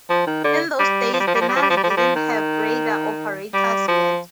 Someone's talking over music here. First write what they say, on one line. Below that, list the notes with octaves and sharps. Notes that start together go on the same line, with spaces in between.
In those days the Navy didn't have Radar Operators yet.
F3
D#3
D3
G3
F3
G3
F3
G3
F3
G3
F3
G3
F3
G3
F3
G3
F3
D#3
G3
F3